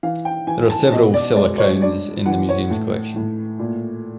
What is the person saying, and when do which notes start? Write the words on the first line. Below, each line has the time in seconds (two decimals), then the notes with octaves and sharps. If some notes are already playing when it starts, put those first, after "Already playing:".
There are several Silla crowns in the museum's collection.
0.03 E3 F5
0.25 G5
0.47 E3 G#5
0.70 A5
0.92 B2 D#5
1.14 D5
1.36 G#3 D5
1.58 C#5
1.82 G2 D5
2.26 E3 F#5
2.49 C#5
2.70 A2
3.16 A2
3.59 A#2